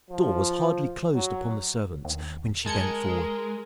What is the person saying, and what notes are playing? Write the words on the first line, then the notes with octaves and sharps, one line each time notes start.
The door was hardly closed upon the servants when she bent forward.
F3
F#3
D#2
G#3 A#4 A5 G#6 C#7